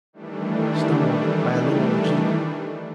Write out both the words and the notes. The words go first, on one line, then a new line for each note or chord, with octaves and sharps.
stumbled by a little jeep,
D#3 E3 G3 A3 D4